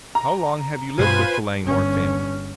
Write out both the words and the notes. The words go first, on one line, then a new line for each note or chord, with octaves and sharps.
"How long have you lived with the Langmore family?"
A#5
G2 B2 F4 B4 C5 G#5
G1 C#4